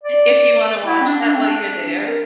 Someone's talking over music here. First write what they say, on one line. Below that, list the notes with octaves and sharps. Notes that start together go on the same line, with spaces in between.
if you wanna watch that while you're there.
D5
E4
C4
D4
D4
C4
D4
A#4